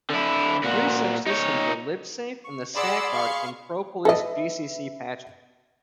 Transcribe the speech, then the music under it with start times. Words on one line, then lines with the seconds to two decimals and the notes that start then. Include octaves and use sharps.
Three such systems are Libsafe, and the "StackGuard" and "ProPolice" gcc patches.
0.10 D3 E4
0.63 A#2 F#4
1.26 D#4 C#5
2.44 C#6
2.76 G#4 D5 F#5 B5 C6 E6
3.11 F5 C#6
4.05 A4 B4 D#5 E5